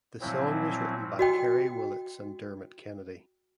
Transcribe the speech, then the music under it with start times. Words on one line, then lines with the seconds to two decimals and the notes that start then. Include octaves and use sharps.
The song was written by Carey Willetts and Dermot Kennedy.
0.21 A#2 F3 F#3 C4 E4
1.19 F#4 D#5 G5